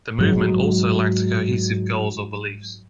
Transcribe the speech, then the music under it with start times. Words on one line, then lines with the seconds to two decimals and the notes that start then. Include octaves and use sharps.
The movement also lacked cohesive goals or beliefs.
0.18 G#2 F#3 G#3